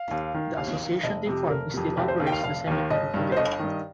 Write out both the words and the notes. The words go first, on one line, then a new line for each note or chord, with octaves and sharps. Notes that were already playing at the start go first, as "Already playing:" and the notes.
The association they formed still operates the cemetery today.
Already playing: F5
D#2
D#3
D#2 F5
D#3
F1 D#5
F2 C3
F1 A#4
F2 C3
F1 G4
C5
D#2 D#3
G5
F5
F1 F5
D#2 D#3
G1 D#5
G2 D#3
C5
G1 D#5
G2 D#3